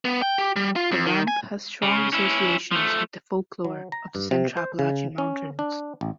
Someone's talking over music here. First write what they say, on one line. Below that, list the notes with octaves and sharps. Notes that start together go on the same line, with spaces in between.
The ramp has strong associations with the folklore of the central Appalachian Mountains.
B3
G5
G4
G3
F4
F2
D#3
G#5
C#3
C#4 E4
F3 A3
F#3
A#5
G2
C3
C5
C#3
C#4
D4
A1